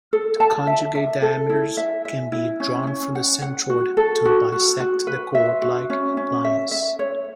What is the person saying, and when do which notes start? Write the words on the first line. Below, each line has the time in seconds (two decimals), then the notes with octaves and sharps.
A conjugate diameter can be drawn from the centroid to bisect the chord-like lines.
0.13 A4
0.40 A5
0.67 E5
0.95 E5
1.22 A4
1.49 E4
1.77 E5
2.05 E5
2.32 E4
2.60 C#4
2.87 C#4
3.15 F#5
3.42 F#5
3.70 F#4
3.97 A4
4.25 F#4
4.52 F#4
4.80 F#4
5.07 B4
5.35 E5
5.62 F#4
5.90 C#4
6.17 C#4
6.44 E5
6.71 E5
6.99 C#5